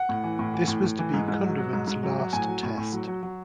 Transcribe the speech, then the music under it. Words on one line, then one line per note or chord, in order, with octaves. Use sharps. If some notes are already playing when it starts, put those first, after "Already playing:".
This was to be Kunderan's last Test.
Already playing: F#5
A2
E3
A2
E3
A2
A2
E3
G#2
G#2
F#3
F#3
G#2
G#2
F#3
F#3
A2 G#5
F#3
A2
A2
F#3
F#3
F#3